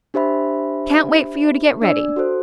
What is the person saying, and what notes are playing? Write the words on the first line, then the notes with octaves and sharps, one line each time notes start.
"Can't wait for you to get ready."
D4 G4 C5 E5 B5
D4 D5 E6
F#4 A4 C5